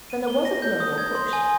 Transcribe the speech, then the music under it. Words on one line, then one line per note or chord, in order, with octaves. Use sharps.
'Then there was a blow or push?'
D#7
G7
A#6
G6
D#6
G#6
C6
G#5